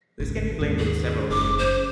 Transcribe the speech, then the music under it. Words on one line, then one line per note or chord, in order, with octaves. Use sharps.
This can be blamed on several reasons.
G#1 C#2
D#2 G#2 C#3
G#4
F#1 C#3 D6
C5